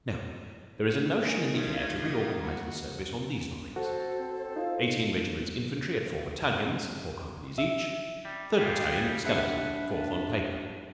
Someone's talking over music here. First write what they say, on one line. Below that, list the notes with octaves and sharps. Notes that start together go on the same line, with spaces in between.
Now there is a notion in the air to reorganize the service on these lines:--Eighteen regiments infantry at four battalions, four companies each; third battalion, skeleton; fourth on paper.
D#3 D#4 G#5
A3 F4 F5 G#6
A#3 D#5
G2 F#4
F#4 A4 C5
C4
D#4 F4
E5
G3
G3 F4 G#4 G5
D4 G4 B4 E5 F#5